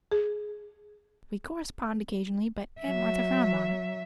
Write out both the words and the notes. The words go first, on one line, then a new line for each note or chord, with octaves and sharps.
We correspond occasionally, but Aunt Martha frowns on it.
G#4
F#3 E5